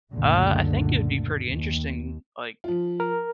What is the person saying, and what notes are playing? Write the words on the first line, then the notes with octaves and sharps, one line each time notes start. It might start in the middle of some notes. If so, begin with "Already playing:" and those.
Uh, I think it would be pretty interesting, like,
C#2 F#2 A#2 D3 A3
D#2
F3 F4
A#4